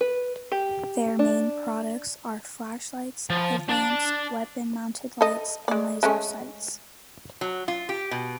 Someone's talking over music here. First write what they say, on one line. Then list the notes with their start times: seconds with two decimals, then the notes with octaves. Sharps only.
Their main products are flashlights, headlamps, weapon-mounted lights and laser sights.
0.01 B4
0.52 G4
1.19 D4
3.30 F3
3.69 D4 A5
5.21 A4 D#5
5.68 G#3 D5
6.03 G#3 A3 C#4
7.41 F#3
7.68 F4
7.89 G4
8.11 B2